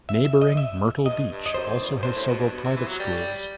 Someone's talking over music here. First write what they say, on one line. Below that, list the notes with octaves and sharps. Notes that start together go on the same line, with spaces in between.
Neighboring Myrtle Beach also has several private schools.
E5
E5
D#5
E5
G2 D#5
G2
D#5
F#2 C5
E2
E2
F#2
G2 C5
A2
B2
G2
B2
C3
E3
F#3
G3